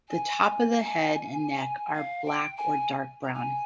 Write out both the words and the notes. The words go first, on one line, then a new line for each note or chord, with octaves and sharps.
The top of the head and neck are black or dark brown.
G#5
F5
G5
G#5
A#5
G#5